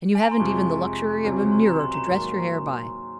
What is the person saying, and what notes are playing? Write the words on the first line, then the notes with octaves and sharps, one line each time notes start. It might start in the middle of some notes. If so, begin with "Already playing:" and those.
"And you haven't even the luxury of a mirror to dress your hair by!"
G#5
A#5
C6
F2 C3 F3 G#3 C#6
C#2 C3 F#3 C4 G#5
C6
A#5
C6
A#5
G#2 D#3 F#3 A#3 A#5